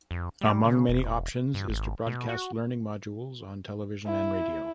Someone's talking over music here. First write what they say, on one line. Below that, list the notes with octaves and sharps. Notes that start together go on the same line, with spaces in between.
Among many options is to broadcast learning modules on television and radio.
F2
G3
C#3
E1
G2
G#1
B2
F#4
E4